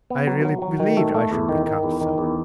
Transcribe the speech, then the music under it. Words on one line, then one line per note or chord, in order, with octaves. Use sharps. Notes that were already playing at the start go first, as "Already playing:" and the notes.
I really believed I should become so.
B3
F#3
F#3
F#3
D#3
A3
A3
E2
D#3
D#3
E2
D#3
E2